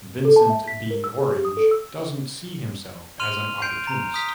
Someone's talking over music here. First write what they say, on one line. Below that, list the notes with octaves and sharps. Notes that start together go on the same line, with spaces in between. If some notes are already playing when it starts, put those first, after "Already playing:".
Vincent B. Orange doesn't see himself as an opportunist.
A4
A5
E5
B6
A#4
E6
G#4
G4
D#6
A4
E6
C6 F6 D#7 F7
G6 C7 D7
A#5
D#6 B6